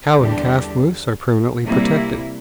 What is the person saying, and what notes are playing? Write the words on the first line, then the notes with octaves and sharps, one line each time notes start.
Cow and calf moose are permanently protected.
E2 D3 G3 D4 G4
C3 G3 A#3 E4